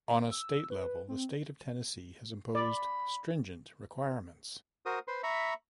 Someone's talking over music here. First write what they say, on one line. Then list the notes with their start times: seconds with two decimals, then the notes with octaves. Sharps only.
On a state level, the State of Tennessee has imposed stringent requirements.
0.31 E6
0.70 B4
1.08 C4
2.55 D5 B5
4.86 F#4 A#4 C5 D#6
5.08 B4 C5 C6
5.23 E5 A#5 B5 C#6